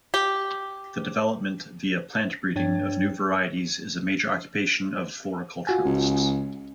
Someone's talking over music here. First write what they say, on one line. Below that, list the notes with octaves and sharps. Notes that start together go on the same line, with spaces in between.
The development, via plant breeding, of new varieties is a major occupation of floriculturists.
G4
G2 D4 C#5 G5 G#6 A6
F4 F#4 G#5
C#2